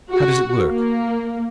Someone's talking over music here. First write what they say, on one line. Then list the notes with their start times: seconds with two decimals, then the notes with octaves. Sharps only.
"How does it work?"
0.12 F#4
0.66 A#3